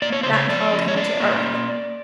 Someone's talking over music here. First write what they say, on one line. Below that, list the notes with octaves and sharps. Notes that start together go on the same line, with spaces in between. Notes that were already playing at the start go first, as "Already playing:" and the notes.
That called him to earth.
A#3 D5
C#5
C#3 C5
C#5
F3 D5
C#4
C#5
C#4 D5
A#3